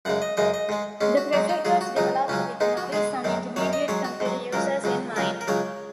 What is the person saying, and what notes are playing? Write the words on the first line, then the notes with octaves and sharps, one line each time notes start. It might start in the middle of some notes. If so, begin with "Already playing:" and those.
The project was developed with novice and intermediate computer users in mind.
F#2 C#3 G#3 F#5
D#5
F#2 C#3 G#3 D#5
D#5
G#2 G#3
G#2 G#3 C#4
F#4
G#2 F#3 D#4
D#4
G#2 F#3 G#4
F#4
C#2 C#3 F#3 D#4
C#2 C#3 F#3 C#4
G#2 G#3 D#4
F#4
G#2 G#3 G#4
F#2 D#3 F#3
F#2 D#3 F#3 C#5
D#5
G#2 F#3 C#5
F#4
G#2
F#3
C#2 C#3 F#3 A#4
C#2 C#3 F#3
C#2 C#3 F#3 A#4
A#4
C#2 C#3 F#3 C#5